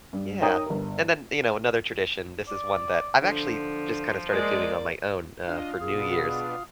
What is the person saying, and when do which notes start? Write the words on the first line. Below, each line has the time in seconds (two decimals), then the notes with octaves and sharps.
Yeah, and then, you know, another tradition this is one that I've actually just kind of started doing on my own, uh, for New Year's,
0.13 G2
0.42 D#4 A#4 C#5 G5 A#5 D#6
0.66 G1 A#4
2.47 D5
3.23 D3 F3
4.32 G#3 A#3 D5
5.48 D4 F4 D#5 F5
5.80 B2 B3 D4 G#4 D#6